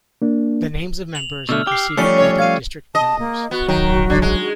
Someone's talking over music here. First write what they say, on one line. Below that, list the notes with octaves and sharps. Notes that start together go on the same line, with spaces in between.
The names of members are preceded by their district numbers.
A#3 D4
F7 F#7
B2 D3 A3 E6 F6
G4 D6 C7
F3 G3 A3 C#4 C#6 C#7
C#5
F5 G#6 D#7
D#5 A5
A#3
B3 F#4
D#3 F#3
D3
G#3